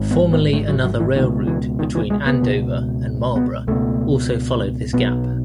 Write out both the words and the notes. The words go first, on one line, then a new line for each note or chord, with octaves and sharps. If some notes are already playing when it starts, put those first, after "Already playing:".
Formerly another rail route between Andover and Marlborough also followed this gap.
Already playing: G#1 G#2
B3
B3
A3
F#3
F#3
E3
C#2 B2 D#3
E3
D#3
E3
G#3
B3
C#2 B2
B3
C#2 B2 A3
B1 B2 B3